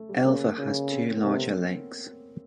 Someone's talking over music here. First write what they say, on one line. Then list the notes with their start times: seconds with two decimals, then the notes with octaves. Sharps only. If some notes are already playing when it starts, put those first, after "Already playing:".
Elva has two larger lakes.
Already playing: A3
0.09 G3
0.25 C#3 A#3
0.58 C#3
0.91 C4
1.00 C#4
1.08 C4
1.16 A#3
1.24 C3 A3
1.33 B3
1.42 C4